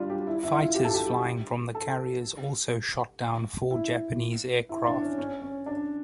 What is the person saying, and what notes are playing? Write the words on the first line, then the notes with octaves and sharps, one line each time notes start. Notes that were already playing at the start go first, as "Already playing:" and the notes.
Fighters flying from the carriers also shot down four Japanese aircraft.
Already playing: G3 D4 F4
G4
E4
E4
F4
G4
A4
G4
A4
E4
E4
D4
C#4
C#4
C#4
D4